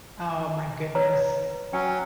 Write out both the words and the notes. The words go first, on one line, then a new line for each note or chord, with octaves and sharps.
Oh my goodness.
B4 C#5 A#5
F#3 C#4 G5